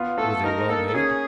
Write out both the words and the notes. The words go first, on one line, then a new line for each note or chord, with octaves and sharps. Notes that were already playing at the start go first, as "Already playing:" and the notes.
Were they well made?
Already playing: B3 F4
A3 A4
D#4 A#4
A#3 A4
A4
C#4 G#4